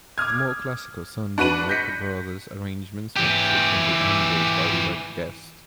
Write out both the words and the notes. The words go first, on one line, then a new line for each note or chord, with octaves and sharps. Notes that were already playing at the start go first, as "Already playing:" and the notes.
The more classical sounding Walker Brothers arrangements were frequently handled by Reg Guest.
D6 D#6 F6 G#6
D4 F#4 B4 D#7 F#7
F#6 G6 A#6 B6 C#7
E3 G4